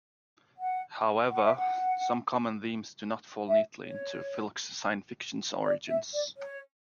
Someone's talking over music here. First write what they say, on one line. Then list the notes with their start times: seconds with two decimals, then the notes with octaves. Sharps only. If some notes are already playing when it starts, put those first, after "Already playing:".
However, some common themes do not fall neatly into filk's science fiction origins.
0.58 F#5
1.30 F#5
1.43 E5
1.56 F#5
3.47 E5
3.83 C#5
5.64 D5
5.87 E5
6.13 D5
6.36 C#5